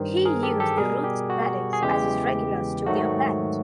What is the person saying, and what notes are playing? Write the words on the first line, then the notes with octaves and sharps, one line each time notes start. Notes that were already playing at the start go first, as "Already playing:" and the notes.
He used the Roots Radics as his regular studio band.
Already playing: G2 D#3 G3 A#4 C5
G#4 A#4
G4 A4
G4 A4
B2 G3 G#4 A#4
G4
F#4
G#4
E2 C#3 E3 G#3 G4
G#2 D#3 F#3 A3 F#4